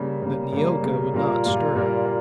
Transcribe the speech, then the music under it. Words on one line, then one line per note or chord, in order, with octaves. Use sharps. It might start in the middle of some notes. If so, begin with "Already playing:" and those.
But Neeoka would not stir.
Already playing: C#3 G3 A#3
C#3 G3 A#3
C#3 G3 A#3
C#3 G3 A#3
A#2 G3 A#3 F4 A#4
A#2 G3 A#3 F4 A#4
A#2 G3 A#3 F4 A#4
F4 A#4